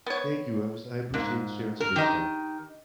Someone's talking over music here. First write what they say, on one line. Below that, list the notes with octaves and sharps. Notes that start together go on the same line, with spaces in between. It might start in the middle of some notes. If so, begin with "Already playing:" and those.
Thank you, it was I appreciate sharing some insight.
B3 C#5
G#2 A#3
A#4
D#3 G4 D#5